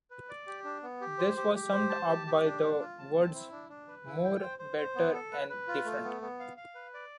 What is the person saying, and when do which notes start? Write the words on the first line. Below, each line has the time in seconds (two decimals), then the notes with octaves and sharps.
This was summed up by the words "more, better and different".
0.11 B4
0.29 D5
0.47 G4
0.64 D4
0.83 B3
1.01 G4
1.18 C5
1.37 G4
1.55 G4
1.72 C5
1.90 A5
2.08 G4
2.27 G4
2.44 D4
2.62 D4
2.80 F4
2.99 A5
3.16 C4
3.34 E4
3.52 D4
3.69 D4
3.88 B4
4.07 E4
4.24 G5
4.42 C5
4.59 C5
4.78 C5
4.96 B3
5.14 A4
5.32 B4
5.50 B4
5.68 F4
5.85 A3
6.04 B3
6.22 B3
6.40 F5
6.57 F5
6.75 B4
6.94 D5